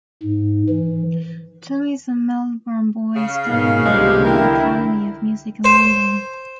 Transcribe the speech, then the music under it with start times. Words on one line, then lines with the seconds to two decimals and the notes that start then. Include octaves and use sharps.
Tommy is a Melbourne boy studying at the Royal Academy of Music in London.
0.23 G#2
0.69 E3
3.15 C#3 F5
3.47 G#2 B2 D#3
3.85 C2 D3 F3 G#3 B3 D4 G4
4.24 D3 E4 A#4 G5
5.64 C5